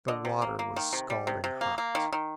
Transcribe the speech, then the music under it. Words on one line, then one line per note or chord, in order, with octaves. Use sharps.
The water was scalding hot!
D3 D#5
C3
A#3
A#3
D#3
C3
G3
C3
C3
A#3
A#3
D#3
D#3